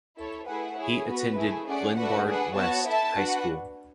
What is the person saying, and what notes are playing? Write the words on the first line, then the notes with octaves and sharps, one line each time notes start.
He attended Glenbard West High School.
E4 A4 C#5
A3 E4 G#4 B4 F#5
E4 G#4 C#5
B3 F#4 B4
A3 E4 G#4
A3 C#4 G#4 D5 F#5
A3 D4 F#4 B4 F#5
D4 G#4 B4 F#5
B3 F#4 C#5 F#5 A5
E4 A4 E5 A5
D4 F#4 B4 F#5